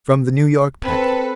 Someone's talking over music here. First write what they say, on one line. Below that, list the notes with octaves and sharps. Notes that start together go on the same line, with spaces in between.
From the New York Packet.
C4 A4 B4